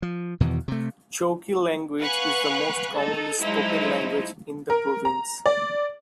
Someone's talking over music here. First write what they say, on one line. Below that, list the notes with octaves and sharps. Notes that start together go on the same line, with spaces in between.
Chokwe language is the most commonly spoken language in the province.
F3
E2 B2 D#3 E3
C3 A3
B4 F5 F#5 G#5 C#6 F#6
D#4 A4
F3 F#3 G#3 D#4 E4
A#4
A#5
D5